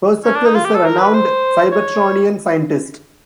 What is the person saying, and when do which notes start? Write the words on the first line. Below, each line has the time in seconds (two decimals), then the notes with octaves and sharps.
Perceptor is a renowned Cybertronian scientist.
0.25 C#4
0.35 D4
0.46 D#4
0.55 F4
0.65 G4
0.74 A4
0.84 A#4
0.99 B4
1.13 C5
1.72 C#5